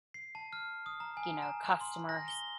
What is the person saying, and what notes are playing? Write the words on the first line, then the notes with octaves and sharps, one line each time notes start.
you know, customer s
C7
A5
F6
D#6
A#5
G#5
A#5
C6
A#6
G7